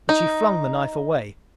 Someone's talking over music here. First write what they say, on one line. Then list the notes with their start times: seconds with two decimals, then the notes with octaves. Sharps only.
But she flung the knife away.
0.09 D#4